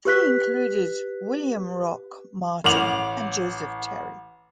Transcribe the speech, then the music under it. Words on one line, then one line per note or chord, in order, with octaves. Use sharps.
They included William "Rock" Martin and Joseph Terry.
G4 B4 F#6 B6
A1 F#5 D6 F7